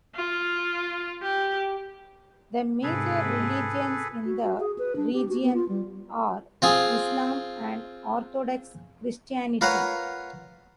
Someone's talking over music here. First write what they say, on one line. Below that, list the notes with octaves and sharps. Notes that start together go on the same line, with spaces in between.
The major religions in the region are Islam and Orthodox Christianity.
F4
G4
G#2 C3 G#4 A4 B4
F#4
F#4
G#4
B4
D4
G4
F#4
B3
F4
G3
C4 F4 G#4
F4 A#4 B4 C#5 F#5